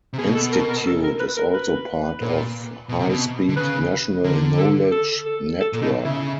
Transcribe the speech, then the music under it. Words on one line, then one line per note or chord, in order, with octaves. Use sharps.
Institute is also part of high speed National Knowledge Network.
C3
B2 G#4
A4
A#4
A#4
A4
A#4
B4
A#4
B4
A#2
B2
C3
B2
D3
C#3 B4
D3 A#4
A4
A4
A4
A4
A#2
B2 D#4
C#3 E4